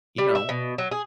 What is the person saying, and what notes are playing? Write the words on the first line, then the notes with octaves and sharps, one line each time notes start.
you know,
G3
E5
B2
F#3
G#4